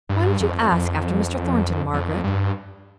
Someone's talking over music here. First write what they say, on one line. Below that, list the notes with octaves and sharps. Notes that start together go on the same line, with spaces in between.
Why don't you ask after Mr. Thornton, Margaret?
G2
F2
F2
F2
G2